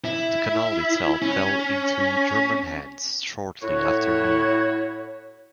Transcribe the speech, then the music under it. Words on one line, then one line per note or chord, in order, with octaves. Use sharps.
The Canal itself fell into German hands shortly after noon.
E4
C#4
A2 E4 F#4 C#5